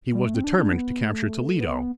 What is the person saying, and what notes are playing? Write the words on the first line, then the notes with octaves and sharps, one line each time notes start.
He was determined to capture Toledo.
G3
A3
C4
D4
D4
B3
A3
B3